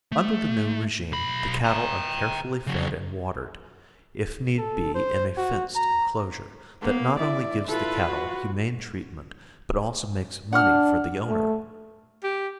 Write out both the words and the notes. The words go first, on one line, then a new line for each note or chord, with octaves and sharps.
Under the new regime the cattle are carefully fed and watered, if need be in a fenced enclosure, that not only gives the cattle humane treatment but also makes money for the owner.
A3
B1 B5
G5 A#5
C#3 F#3
A4
C5
F#4
A#5
A#3 B3
E4 D5
E4 F4 A4 B4
F#4
D4 F#5 F6
A3
G4